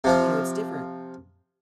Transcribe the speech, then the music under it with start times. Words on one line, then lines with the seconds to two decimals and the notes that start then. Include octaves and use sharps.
you know, it's different
0.04 C3 F3 F4